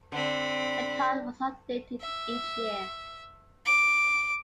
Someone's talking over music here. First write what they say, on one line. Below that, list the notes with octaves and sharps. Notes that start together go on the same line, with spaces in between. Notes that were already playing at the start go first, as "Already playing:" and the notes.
The card was updated each year.
D3 C4 B5
E5
D6